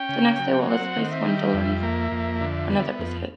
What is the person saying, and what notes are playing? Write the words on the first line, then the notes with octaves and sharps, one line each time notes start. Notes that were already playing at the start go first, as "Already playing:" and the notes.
The next day, Wallace pays Wendolene another visit.
Already playing: C#4 G5
C#3
F#3
C4 F#5
D#3
E5
G3
F2
A#3
F2
D3
B3
F2